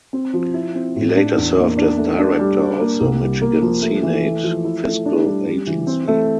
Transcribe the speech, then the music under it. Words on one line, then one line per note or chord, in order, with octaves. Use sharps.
He later served as Director of the Michigan Senate Fiscal Agency.
C4
F3
E4
C4
A2
D4
E2
A#3
D4
A3
D4
G3
D4
A#3
C2
G3
A#3
F3
A3
E3
A3
F3
E4
A3
D4
G3
G3
E3
C4
A3